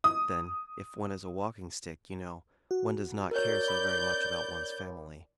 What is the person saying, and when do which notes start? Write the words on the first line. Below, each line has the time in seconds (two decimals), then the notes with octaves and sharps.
But then, if one is a Walking-Stick, you know, one does not care so very much about one's family.
0.04 D#6
2.71 F#4
3.31 A#4 C#5 D5 G6
3.68 B5 D6